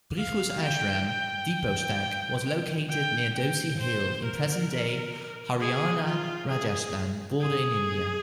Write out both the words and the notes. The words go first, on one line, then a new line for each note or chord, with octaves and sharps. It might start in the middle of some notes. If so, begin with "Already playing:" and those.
Bhrigu's ashram 'Deepostak' was located near Dhosi Hill in present-day Haryana-Rajasthan border in India.
F5
G5
G5
G5
G5
C5
A#4
G#4
F4
G#4
G#4